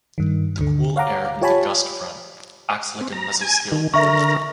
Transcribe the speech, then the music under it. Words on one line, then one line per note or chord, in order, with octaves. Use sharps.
The cool air in the gust front acts like a mesoscale cold front.
G2 D#3
D2 D3
C#5 F5 F#5 A#5 D6
F4 G4 C#5 G#5 A5 B5
C4
A#5
G#5
D#3
D3 A#4 E5 A#5 C#6